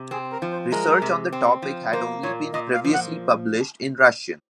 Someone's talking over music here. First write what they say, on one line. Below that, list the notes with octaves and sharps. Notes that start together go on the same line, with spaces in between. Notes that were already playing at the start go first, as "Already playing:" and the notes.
Research on the topic had only been previously published in Russian.
Already playing: C3
C4 G#4
A#4
F3
C5
G#3 A#4
C3
C4
F3
A#3 C5
A#2 C#5
A#2 D#5
F5
F3
F#5